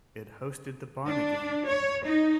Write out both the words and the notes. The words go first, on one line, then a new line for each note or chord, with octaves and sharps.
It hosted the Barn Again!
D4
C#5
D#4